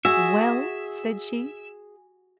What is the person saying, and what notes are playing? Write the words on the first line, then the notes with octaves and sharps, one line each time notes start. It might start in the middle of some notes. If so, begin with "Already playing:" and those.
"Well?" said she.
F#4 G#4 E5